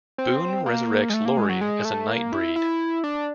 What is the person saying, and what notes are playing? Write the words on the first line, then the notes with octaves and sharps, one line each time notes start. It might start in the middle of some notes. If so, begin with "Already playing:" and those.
Boone resurrects Lori as a Nightbreed.
C4
A#3
G#3
A3
A#3
G#3
F#3
G#3
A3
A#3
E4
E4
D4